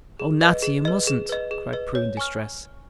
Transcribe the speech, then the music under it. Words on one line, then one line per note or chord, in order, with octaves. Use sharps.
"Oh, Natty, you mustn't," cried Prue in distress.
G#4
B4 D#5
G#4
B4 D#5
G#4
B4 D#5
G#4
B4 D#5
C#5
G#5 C#6 F6